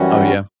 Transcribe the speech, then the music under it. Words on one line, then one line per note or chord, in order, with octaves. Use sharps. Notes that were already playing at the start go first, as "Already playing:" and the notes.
Oh, yeah.
Already playing: F#2 E3 G3 C#4 F#4